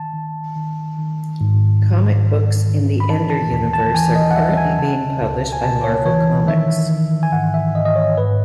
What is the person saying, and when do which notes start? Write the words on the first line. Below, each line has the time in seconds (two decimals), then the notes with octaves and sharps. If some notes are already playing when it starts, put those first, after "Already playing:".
Comic books in the Ender Universe are currently being published by Marvel Comics.
Already playing: D#3 A5
0.13 D#3
0.56 D#3
0.98 D#3
1.41 G#2
1.82 G#2
2.25 D#3
2.67 D#3
3.00 B5
3.09 E3 A5
3.30 A5
3.51 D#2
3.73 A5
3.95 E3 G#5
4.15 D#5
4.31 F#5
4.36 D#2 E5
4.57 G#5
4.79 C#3 A5
5.21 C#2
5.53 G#5
5.63 C#3 A5
5.84 C#5
6.06 E3 C#5
6.48 D#3 E5
6.91 D#3
7.23 G#5
7.32 G#2 F#5
7.54 E5
7.74 G#2 D#5
7.85 D#5
7.96 C#5
8.17 G#2 B4